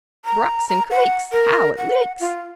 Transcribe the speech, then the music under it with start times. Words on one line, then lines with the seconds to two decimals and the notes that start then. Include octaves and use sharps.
"Brooks and creeks, How it leaks!"
0.25 A#5
0.68 A#5
0.91 F#5
1.32 A#4
1.77 F#5
2.20 F4